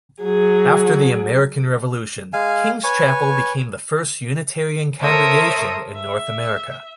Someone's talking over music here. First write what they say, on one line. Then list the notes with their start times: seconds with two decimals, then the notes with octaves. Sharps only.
After the American Revolution, King's Chapel became the first Unitarian congregation in North America.
0.22 F#3 G#4
2.33 G#3 F5 G#5
2.84 B4 C#5 G#5 C#6
5.01 A4 A#4 C5 C#5 E5 D#6
5.94 E5